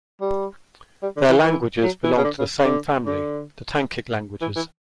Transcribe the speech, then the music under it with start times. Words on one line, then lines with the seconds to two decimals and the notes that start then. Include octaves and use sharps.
Their languages belong to the same family, the Tankic languages.
0.21 G3
1.03 G3
1.17 D3
1.30 E3
1.44 E3
1.83 F#3
2.04 E3
2.18 C#3
2.24 D3
2.39 C#3
2.65 D3
3.06 D3
4.41 E3
4.56 E3